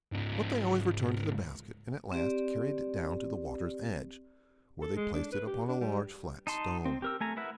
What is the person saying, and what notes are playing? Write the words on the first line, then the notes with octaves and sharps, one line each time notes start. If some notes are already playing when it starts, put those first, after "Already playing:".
But they always returned to the basket, and at last carried it down to the water's edge, where they placed it upon a large, flat stone.
C#2 G#2
C4 G4 D5
A4
G#3
D4
B4
G4
D4
G3
D#4 A5 C6
C4
G4 A#4 E6
A3 G#5 A#5
E4 A#4 B4 E5 F#5